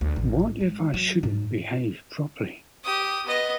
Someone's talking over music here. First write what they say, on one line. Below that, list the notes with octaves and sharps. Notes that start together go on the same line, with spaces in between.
What if I shouldn’t behave properly?
D2
A1
G#3
F#3
G#2
G4 D#6
B3 D#5